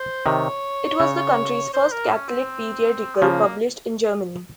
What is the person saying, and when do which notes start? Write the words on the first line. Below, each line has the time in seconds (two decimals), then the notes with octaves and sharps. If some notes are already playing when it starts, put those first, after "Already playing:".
It was the country's first Catholic periodical published in German.
Already playing: C5
0.26 C3 D#3 C#5
1.00 C#3
1.74 C5
1.92 A#4
2.11 C#4
2.29 C4
3.15 G#3
3.22 C#3 F3 A#3